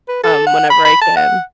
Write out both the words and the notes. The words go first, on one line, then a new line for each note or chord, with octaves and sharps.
um, whenever I can.
B4
A4
F#5
B5
B5
A5
F#5